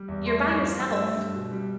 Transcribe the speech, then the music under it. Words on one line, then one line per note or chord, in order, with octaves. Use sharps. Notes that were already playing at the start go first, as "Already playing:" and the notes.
you're by yourself.
Already playing: G3
E2
A3 C6
G2
F3
G2 E6
A3
G2
B2
G3